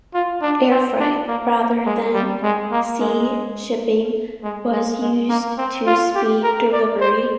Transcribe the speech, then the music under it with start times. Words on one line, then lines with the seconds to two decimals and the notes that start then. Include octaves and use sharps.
Air freight, rather than sea shipping, was used to speed delivery.
0.14 F4
0.42 D4
0.71 C4
1.00 D4
1.28 A#3
1.57 A#3
1.86 G#3
2.14 G3
2.43 G#3
2.71 A#3
3.00 G#3
4.43 G#3
4.72 G#3
5.00 G#3
5.29 A#3
5.58 C4
5.86 F4
6.15 G4
6.43 A#4
6.72 D5
7.01 C5